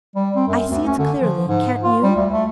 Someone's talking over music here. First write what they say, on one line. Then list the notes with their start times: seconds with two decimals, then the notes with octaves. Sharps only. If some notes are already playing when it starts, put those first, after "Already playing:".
I see it clearly, can't you?
0.16 G3
0.36 C4
0.47 F#2
0.70 D2
0.87 C#4
0.98 D3
1.22 F3
1.48 G#2
1.84 F4
2.03 G3
2.16 D2
2.32 A3